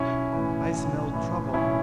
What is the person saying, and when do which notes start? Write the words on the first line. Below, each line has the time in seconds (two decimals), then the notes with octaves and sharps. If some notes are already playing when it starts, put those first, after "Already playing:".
I smell trouble.
Already playing: B1 C#4 E4
0.33 A2 E3
0.73 B1
1.13 A2 E3
1.53 B1 C#4 E4